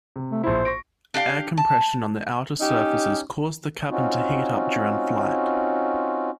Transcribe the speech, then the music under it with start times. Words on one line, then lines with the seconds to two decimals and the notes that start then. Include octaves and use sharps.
Air compression on the outer surfaces caused the cabin to heat up during flight.
0.16 C3
0.31 A3
0.43 A#1 E4 C5
0.65 C#6 A#6 D7
1.14 D4 G4 F5 G5
1.58 A5
2.61 C#4 D#4 G4
3.90 C4 C#4 D#4 F4 F#4